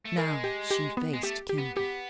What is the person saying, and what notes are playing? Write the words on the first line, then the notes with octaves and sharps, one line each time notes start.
Now she faced Kennedy.
A3
G#3 A#4
G4
G4
B3
G#3
A3 G4
G4
B3
B3 G4